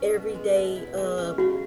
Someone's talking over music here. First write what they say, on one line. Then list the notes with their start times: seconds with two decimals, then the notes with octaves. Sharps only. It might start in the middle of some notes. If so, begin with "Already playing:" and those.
everyday, uh,
Already playing: C#4 E4
0.14 B2
0.34 G#3
0.56 B2
0.76 E4
0.97 G#3
1.18 C#4
1.38 C#3 F#4